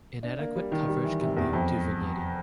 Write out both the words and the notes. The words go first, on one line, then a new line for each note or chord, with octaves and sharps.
Inadequate coverage can lead to vignetting.
D4
A#3
G3
D#3
G3
E3
C3
E2
F2